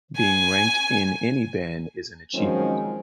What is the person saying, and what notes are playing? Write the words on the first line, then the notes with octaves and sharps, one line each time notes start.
Being ranked in any band is an achievement.
G#5
D#3 F3 F#3 G#3 C4 C#4